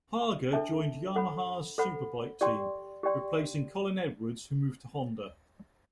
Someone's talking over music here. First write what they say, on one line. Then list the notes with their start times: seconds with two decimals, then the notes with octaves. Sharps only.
Haga joined Yamaha's Superbike team, replacing Colin Edwards who moved to Honda.
0.53 D4 A4 C5 E5 A5
1.16 A4 C5 F#5 B5
1.78 A4 C5 F#5 B5
2.41 G4 D5 G5 C6
3.03 G4 D5 G5 C6